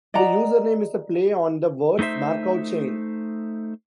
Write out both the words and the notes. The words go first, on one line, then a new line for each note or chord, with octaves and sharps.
The username is a play on the words "Markov chain".
D5 D#5 F#5 A#5
A3 D#4 E4 C5 E5